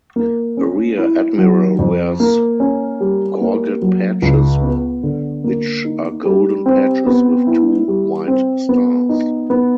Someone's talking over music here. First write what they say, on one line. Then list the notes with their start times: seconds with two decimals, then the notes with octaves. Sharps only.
A rear admiral wears gorget patches which are golden patches with two white stars.
0.16 A#3
0.57 C#4
0.98 E4
1.38 F#3
1.79 F2
2.20 A#3
2.60 C#4
3.00 G3
3.41 A#3
3.82 F#3
4.22 C#2
4.63 B3
5.03 D3
5.44 A#3
5.85 D#4
6.25 G3
6.66 C4
7.06 B3
7.47 E4
7.88 G3
8.28 C4
8.69 B3
9.09 D#4
9.50 B3